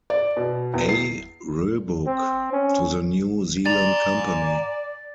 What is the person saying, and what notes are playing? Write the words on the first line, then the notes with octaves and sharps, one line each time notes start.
A. Roebuck to the New Zealand Company.
D5
B2
E2
C7
C4
C#4
D5 G#5 A#5 A6